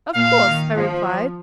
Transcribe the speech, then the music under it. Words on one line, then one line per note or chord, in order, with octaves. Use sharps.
'Of course,' I replied.
A#2 F5
D#3
F3